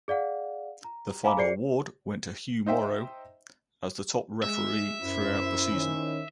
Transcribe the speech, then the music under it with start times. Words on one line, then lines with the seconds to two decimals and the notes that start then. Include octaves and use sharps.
The final award went to Hugh Morrow as the top referee throughout the season.
0.08 G#4 D5 F5 F#5
0.84 A#5
1.24 F5 G#5 A#5 B5 D6
1.37 G#4 C5 D5 C7 C#7
2.66 D#4 C5 E5 G5
4.43 G#3 E5
5.03 F#2 E4 C5
5.71 D#3 C#4